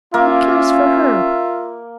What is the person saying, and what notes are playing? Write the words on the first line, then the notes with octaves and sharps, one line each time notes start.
Who cares for her?
A#3 C#4 F4 E5